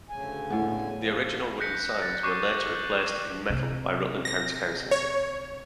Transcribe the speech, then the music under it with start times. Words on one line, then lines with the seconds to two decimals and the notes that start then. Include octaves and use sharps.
The original wooden signs were later replaced in metal by Rutland County Council.
0.10 D2 C#3 G#5
0.50 A2 B3
0.97 F3
1.60 F#6 G6 A#6 B6 C#7
2.02 A6
2.23 C#6 D6 F#6 G6 C7 D#7
2.44 F#7
2.75 G6
3.50 C3
4.25 A#6
4.91 C#5